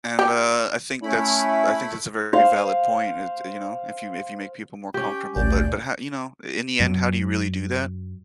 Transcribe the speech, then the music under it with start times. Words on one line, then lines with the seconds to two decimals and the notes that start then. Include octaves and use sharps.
And, uh, I think that's I think that's a very valid point, uh, you know, if you if you make people more comfortable, but but how, you know, in the end, how do you really do that,
0.19 G4
1.03 A3 C#4 E4 B5
2.33 C5 F5
4.94 C#4 G4 G5
5.36 A1 D2 A#2 D5 G6
6.80 F#2 F#3